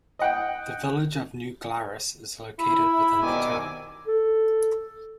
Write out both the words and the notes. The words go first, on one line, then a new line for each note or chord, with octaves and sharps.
The village of New Glarus is located within the town.
D#5 F#5 G5
E4 B5 E6
C2 B2 D#3 B3 G#5 D6 E6
A4